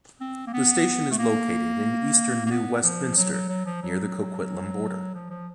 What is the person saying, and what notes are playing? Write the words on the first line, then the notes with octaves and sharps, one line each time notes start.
The station is located in eastern New Westminster, near the Coquitlam border.
C4
A#3
B3
A3
A#3
A#3
B3
F3
F#3
F#3
F#3
F3
F#3
F3
F3